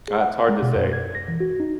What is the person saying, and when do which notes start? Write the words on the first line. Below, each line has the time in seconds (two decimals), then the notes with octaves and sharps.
ah, it's hard to say
0.08 G#4
0.21 F#5
0.49 G#3
0.62 B2
0.76 F#2
0.93 G#6
1.15 A#6
1.28 E3
1.40 F#4
1.60 D#4